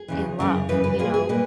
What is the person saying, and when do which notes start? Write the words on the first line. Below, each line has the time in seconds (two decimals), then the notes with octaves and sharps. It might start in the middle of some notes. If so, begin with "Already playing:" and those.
in love, you know?
Already playing: G#4
0.08 E2 C#3 E3
0.39 F#2 C#3 E3
0.69 F#2 C#3 E3 B4
0.84 B4
0.99 A#2 A#3 G#4
1.14 G#4
1.29 A#2 A#3 B4